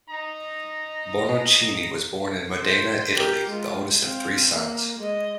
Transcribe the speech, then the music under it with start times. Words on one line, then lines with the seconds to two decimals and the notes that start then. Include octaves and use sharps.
Bononcini was born in Modena, Italy, the oldest of three sons.
0.10 D#4 A#5
2.59 C5
3.14 G4 A#4
3.49 G#3 F4
4.03 C4 F5
4.53 A#3
4.99 G#3 D#5